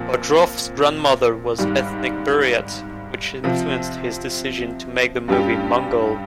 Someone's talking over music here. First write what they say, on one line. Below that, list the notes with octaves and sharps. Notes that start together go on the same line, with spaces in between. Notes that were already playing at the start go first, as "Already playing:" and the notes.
Bodrov's grandmother was ethnic Buryat, which influenced his decision to make the movie "Mongol".
Already playing: A#2 F3 C4
G#1 G#2 G3
C3 F3 C4
G2 G3 C#4 G4